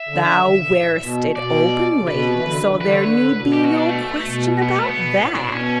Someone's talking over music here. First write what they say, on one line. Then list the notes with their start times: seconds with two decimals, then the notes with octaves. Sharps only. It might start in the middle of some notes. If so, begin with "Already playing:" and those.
Thou wearest it openly, so there need be no question about that.
Already playing: E5
0.09 D3
0.26 D3
0.36 E3
0.45 D3
0.54 C#3
0.63 B2
0.76 A2
0.87 A2
0.99 B2
1.36 B2 D5
2.01 C#3
2.08 B2 B4
2.35 E3
2.45 D3
2.63 D3
2.72 E3
2.81 D3 B4
2.92 C#5
3.03 B4
3.16 D3
3.27 A2
3.35 B2
3.53 G4
3.65 F#4
3.77 D4
3.89 A3
4.26 B2
4.62 B3
4.75 A3
4.88 B3
4.93 C#3
4.98 B2
5.16 A2
5.35 B2 D4
5.43 A2
5.50 B2 C#4